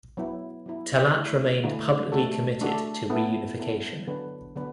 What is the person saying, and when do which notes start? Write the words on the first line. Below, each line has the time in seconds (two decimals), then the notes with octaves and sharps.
Talat remained publicly committed to reunification.
0.17 F#3 B3 E4
0.66 F#3 B3 E4
1.15 D3 A3 E4
1.63 D3 A3 E4
2.12 A3 D4 F#4 A4
2.61 A3 D4 F#4 A4
3.10 B3 E4 A4
3.58 B3 E4 A4
4.07 D3 F#3 B3 D4 B4
4.56 D3 F#3 B3 D4 B4